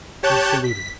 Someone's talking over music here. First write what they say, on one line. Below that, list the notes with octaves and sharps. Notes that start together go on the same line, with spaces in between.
He saluted.
G4 C#5 A5 F#6 G6 E7
B6